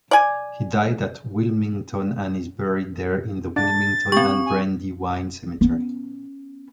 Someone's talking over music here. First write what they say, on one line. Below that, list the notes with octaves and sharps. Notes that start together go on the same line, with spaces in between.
He died at Wilmington and is buried there in the Wilmington and Brandywine Cemetery.
D5 G#5
D4 A6
B3 C4 G4 C#6
G#5
B3 C#4